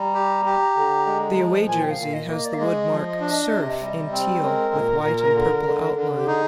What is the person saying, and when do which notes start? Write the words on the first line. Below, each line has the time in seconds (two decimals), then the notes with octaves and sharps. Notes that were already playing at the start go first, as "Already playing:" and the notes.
The away jersey has the wordmark "Surf" in teal with white and purple outline.
Already playing: G3 A#5
0.14 G4
0.45 G4
0.76 D3
1.06 G#3
1.37 F3
1.67 A#2 G#5
1.81 G5
1.90 F5
1.98 A#2
2.13 D#5
2.29 A#3
2.36 D#5
2.45 D5
2.54 F5
2.58 G#3 D#5
2.90 F3
3.20 D4
3.51 C3
3.81 G3
4.12 C4
4.42 G#3 A#4
4.74 A#2
5.04 A#2
5.35 D3
5.66 D3
5.96 D3
6.15 G4
6.26 D#4 G#4